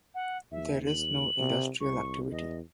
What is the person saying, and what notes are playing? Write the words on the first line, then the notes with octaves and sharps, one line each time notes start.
There is no industrial activity.
F#5
D#2 E5
F#7
C3
C2 C#6
E2 D#5